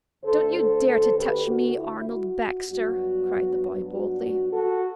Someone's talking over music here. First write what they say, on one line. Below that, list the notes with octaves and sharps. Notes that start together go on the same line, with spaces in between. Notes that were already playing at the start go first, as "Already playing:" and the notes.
"Don't you dare to touch me, Arnold Baxter!" cried the boy boldly.
D2 D3 A3 A4 C5
A4 C5
A4 C5
G4 B4
F#4
E4
F#4
G2 F#3 B3 D4 F#4
F#4
F#4
F#4 A4